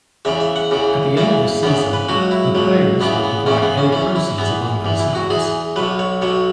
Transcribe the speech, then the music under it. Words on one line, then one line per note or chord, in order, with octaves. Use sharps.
At the end of the season, the players would divide any proceeds among themselves.
E2 C#3 E3 E5
E5
F#5
E2 C#3 E3
E2 C#3 E3 E5
E2 C#3 E3 B3
B4
C#2 B2 F#3 F#4
E4
C#2 B2 F#3
E2 C#3 E3 B3
B3
E2 C#3 E3 C#4
B3
C#4
E2 E3 C#4
E4
E2 E3 B3
E2 E3
E4
F#4
E2 E3 G#4
B1 B2 F#3 B4
C#5
B1 B2 F#3 C#5